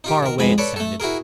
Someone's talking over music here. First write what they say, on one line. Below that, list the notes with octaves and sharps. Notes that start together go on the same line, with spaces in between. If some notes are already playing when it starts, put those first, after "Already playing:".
Far away it sounded.
D#4 F4 G4
D#3 A#4
F2 G#2 G#3 G#5 B5
A4 B4 C#5 D5
A3 A4
E4 F#4 G#4 A#4